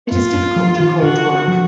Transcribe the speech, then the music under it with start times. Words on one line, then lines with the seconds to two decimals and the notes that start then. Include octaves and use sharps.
It is difficult to cold work.
0.11 F#2 F4
0.33 F#2
0.56 F3
0.80 D#3
1.02 D3 F#4
1.48 F3